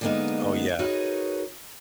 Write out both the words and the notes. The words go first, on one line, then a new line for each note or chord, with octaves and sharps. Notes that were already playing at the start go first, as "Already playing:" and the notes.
Oh, yeah.
D3 E3 G#3 A#3 B3 D#4
D#4 F#4 G#4 A#4 B4 C#5